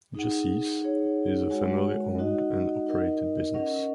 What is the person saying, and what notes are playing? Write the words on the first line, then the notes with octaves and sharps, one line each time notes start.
Jussies is a family owned and operated business.
D#4 G#4 F#5
D#4 G#4 C#5 F#5
G#3 F#4 C#5 F#5
D#4 F#4 D#5 F#5
D#4 A#4 D#5
C#4 A#4 D#5 F#5